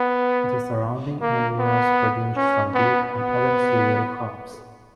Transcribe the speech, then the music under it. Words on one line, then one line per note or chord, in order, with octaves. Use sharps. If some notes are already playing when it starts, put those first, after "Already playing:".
The surrounding areas produce some wheat and other cereal crops.
Already playing: B3
A#3
B3
C#4
B3
B3